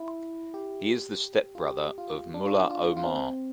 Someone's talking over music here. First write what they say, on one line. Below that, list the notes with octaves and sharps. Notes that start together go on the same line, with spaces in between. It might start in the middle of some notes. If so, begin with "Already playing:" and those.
He is the stepbrother of Mullah Omar.
Already playing: E4
G4
F4
G4
F4
D4
F4
F4
F4
C4